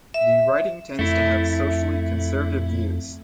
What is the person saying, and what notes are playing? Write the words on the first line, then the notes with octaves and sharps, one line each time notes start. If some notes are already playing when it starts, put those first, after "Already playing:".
The riding tends to have socially conservative views.
E5
F2 A3 E4